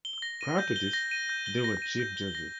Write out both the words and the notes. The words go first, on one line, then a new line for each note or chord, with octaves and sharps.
Prior to this, there were Chief Judges.
G7
A#6
D#7
G6
G7
A#6
D#7
G6
G7
A#6
D#7
G6
G7
A#6